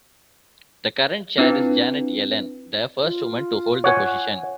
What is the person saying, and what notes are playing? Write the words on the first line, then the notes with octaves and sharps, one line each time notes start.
The current chair is Janet Yellen, the first woman to hold the position.
C4 D4 E4 F4 B4
F4
C#5 F#5 G#5